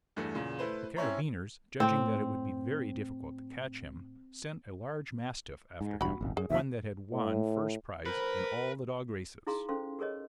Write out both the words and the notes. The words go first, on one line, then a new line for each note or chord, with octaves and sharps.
The Carabineers, judging that it would be very difficult to catch him, sent a large Mastiff after him, one that had won first prize in all the dog races.
E2 G2 E3 A3
E2 A#2 C#3
A3 E4 B4 C5
C4 C#4 E4 C#5 E5 A#5
A2 C4
G#2
E1 G2 F#4 B5
D#1 G#1
F#2 G#4
D#2 G#2 F3 E5
A2
F3 C4 A#4 B4
D#4 E4 G#4 F5 A#5 C6
C#4 A4 C5 F5 C6
G4 G#4 A#4 C#5 D#5